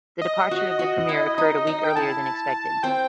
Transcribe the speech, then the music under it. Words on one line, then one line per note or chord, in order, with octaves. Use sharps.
The departure of the premier occurred a week earlier than expected.
D#5
F#4
F#4
E4
D#4
D#4
G5
E4 A5
C4 G5